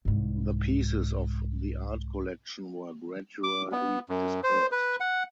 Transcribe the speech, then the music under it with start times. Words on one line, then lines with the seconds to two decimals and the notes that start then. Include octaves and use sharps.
The pieces of the art collection were gradually dispersed.
0.05 C2 G#2
3.44 D6
3.72 B3
4.09 F#2
4.44 C5
4.72 B4
5.00 F#5